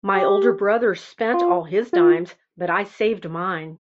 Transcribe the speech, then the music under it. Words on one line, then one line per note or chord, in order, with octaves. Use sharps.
My older brother spent all his dimes but I saved mine.
G4
F4
F4